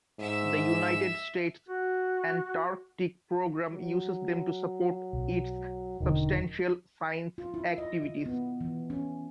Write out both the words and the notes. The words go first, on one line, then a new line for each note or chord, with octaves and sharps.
The United States Antarctic Program uses them to support its substantial science activities.
G#2 E5 E6
F#4
F#3
B1
E1 D3 D#3
F4
E4
D#5
D#3
B3
E3
C#4